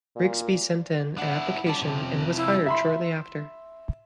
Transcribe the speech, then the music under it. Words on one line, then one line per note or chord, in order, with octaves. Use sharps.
Rigsby sent in an application and was hired shortly after.
A#2
D4 E4 C5 F#5
C#4 E4 G4 D5 A5
C3 F3
E4 F4
E5 B5 C6